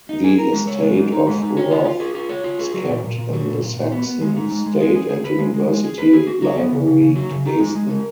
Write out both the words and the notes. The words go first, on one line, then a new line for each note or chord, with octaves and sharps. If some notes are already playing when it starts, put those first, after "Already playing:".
The estate of Roth is kept in the Saxon State and University Library Dresden.
D#4
G#4
A#4
G#3
C#5
G#3
D#4
D#4
G#3
D#4
C#5
F4
F4
G#4
F4
C#5
F4
G#4
F#3
A#2
A#2
A#2
F#3
A#2
A#2
A#2
B3
B3
G#3
D#4
G#3
G#3
G#4
G#4
G#4
B4
G#3
G#3
G#3
G#4
B4
G#4
F#4
F#3
B3
C#3
C#3
C#3
F#3
C#3
D#4
G#3
G#3
A#4